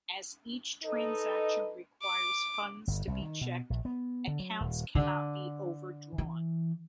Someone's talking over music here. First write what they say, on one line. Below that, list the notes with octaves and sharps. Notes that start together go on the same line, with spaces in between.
As each transaction requires funds to be checked, accounts cannot be overdrawn.
D#4 A4 B4 D#5
D6
G1
C2
D#3
B2
A#1
B3
D3
F#3
D#1
D3
E3